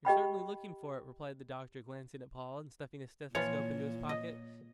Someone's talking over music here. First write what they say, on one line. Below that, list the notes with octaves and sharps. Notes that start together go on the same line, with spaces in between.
"You're certainly looking for it," replied the doctor glancing at Paul and stuffing his stethoscope into his pocket.
G4 D#5 G5 B5
A#2 E3 F3 F4 C#5
D#5